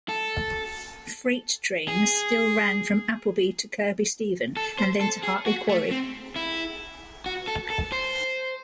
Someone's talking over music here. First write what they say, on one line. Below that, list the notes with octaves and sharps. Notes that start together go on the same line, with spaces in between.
Freight trains still ran from Appleby to Kirkby Stephen and then to Hartley Quarry.
A4
G#4
A4
C5
A4
G#4
F#4
A3
C4
E4
F#4
A4
A4
C5